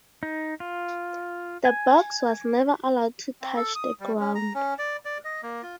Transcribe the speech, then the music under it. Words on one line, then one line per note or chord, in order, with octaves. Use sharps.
The box was never allowed to touch the ground.
D#4
F4
G#5
C4
A4
D#6
G3
C#4
A#5
C#4
D5
D5
D#5
A#3
F4